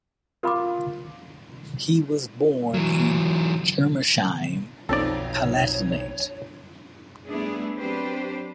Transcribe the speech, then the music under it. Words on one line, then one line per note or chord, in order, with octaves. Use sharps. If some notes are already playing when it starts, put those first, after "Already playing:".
He was born in Germersheim, Palatinate.
F4 A#4 F5 B5 D6
E3 F#3
B1 F2 C4 D#4 A4 C#5 D5
G3 A3 B3 D4 E4 G#4
F#3 C4 D4 G4 B4 C5